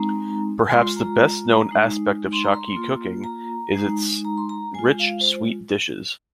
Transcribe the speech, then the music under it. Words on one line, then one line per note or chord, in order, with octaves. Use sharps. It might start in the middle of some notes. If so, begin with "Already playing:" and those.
Perhaps the best-known aspect of Shaki cooking is its rich sweet dishes.
Already playing: G#3 C4 D#4 A#5
G#3 F4 C6
A#5
G#3 D#4
C6
A#5
C6
A#3 F4
A#5
G#3 D#4
A#5
C6
A#5
G#3 F4 G#5
F5
C5